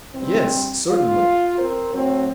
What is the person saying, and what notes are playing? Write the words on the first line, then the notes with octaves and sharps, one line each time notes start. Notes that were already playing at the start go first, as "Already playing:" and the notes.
Yes, certainly.
G2 E3 C4
F4
C4 A#4 C5
A2 F#3 C4